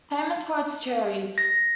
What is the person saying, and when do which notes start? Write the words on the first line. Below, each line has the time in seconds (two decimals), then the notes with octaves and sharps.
Famous for its cherries.
1.38 A#6